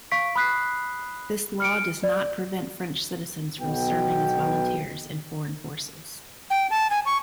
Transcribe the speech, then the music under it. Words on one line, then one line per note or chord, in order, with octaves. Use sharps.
This law does not prevent French citizens from serving as volunteers in foreign forces.
F5 C#6 B6 D7
B5 D#6 F#6 B6 C7
F6 C#7 D7
D5
B1 B2 G5
G5
A5
G#5
C#6